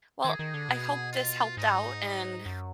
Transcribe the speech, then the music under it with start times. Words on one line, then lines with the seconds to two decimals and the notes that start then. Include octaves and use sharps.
well, I hope this helped out, and
0.25 D#3 G#4
0.39 D#3
0.54 D3
0.69 B2
1.13 F4
1.57 G#2 D#4
2.46 F#2